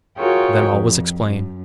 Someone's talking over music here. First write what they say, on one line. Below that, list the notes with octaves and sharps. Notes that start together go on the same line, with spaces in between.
Then all was explained.
F4 F#4 G#4 A#4 C#5 G5
F2
F#2